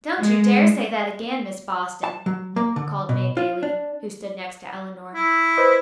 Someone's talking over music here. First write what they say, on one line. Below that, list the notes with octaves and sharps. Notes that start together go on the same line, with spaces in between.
"Don't you dare say that again, Miss Boston," called May Bailey, who stood next to Elinor.
G#3
A5
F#3
A#3
D3
B2
F4
D4
E4
B4 C5 D#5